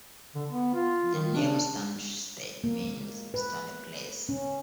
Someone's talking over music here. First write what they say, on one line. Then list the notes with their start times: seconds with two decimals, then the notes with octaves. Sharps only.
The name Stansted means "stony place".
0.35 D3
0.49 B3
0.74 F4
1.15 D#3
1.35 D4
2.64 A#3
2.84 G#3
3.34 B4
4.29 C#4